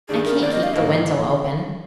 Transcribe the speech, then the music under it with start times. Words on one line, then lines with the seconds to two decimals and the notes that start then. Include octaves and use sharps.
"I can't keep the window open."
0.09 G2 D#3 G3 D4 G#4
0.25 A#4
0.41 C3 D#3 A#3 D4 D5
0.52 D#5
0.63 F5
0.73 G#2 F3 A#3 D#4 D#5